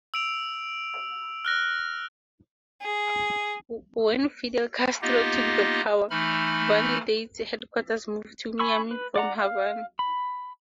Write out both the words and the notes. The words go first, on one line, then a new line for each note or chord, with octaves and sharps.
When Fidel Castro took the power, "Vanidades"' headquarters moved to Miami from Havana.
E6 D7 F7
F6 F#6 A#6
G#4
A#3 B3 D#4 F4 G4 D#5
E3 A3 D#4 B5 F6
G#5 B5 C#6 E6
B4
D5 F#5 A#5
F5
B5